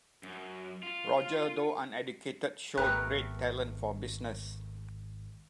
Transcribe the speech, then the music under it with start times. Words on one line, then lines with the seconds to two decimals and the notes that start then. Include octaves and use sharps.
Roger, though uneducated, showed great talent for business.
0.23 F#2
0.83 F4
2.78 G#1 A3 B3 G4 A#4 B4 A#5 F#6